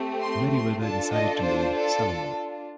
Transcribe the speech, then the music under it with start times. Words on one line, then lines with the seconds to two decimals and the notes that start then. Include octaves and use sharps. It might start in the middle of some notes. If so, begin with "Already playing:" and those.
Meriwether decided to leave Salomon.
Already playing: A3 C4 G4
0.22 C6
0.52 C6
0.81 D4 F4 A4 A5
1.12 D#5
1.42 C5
1.72 A4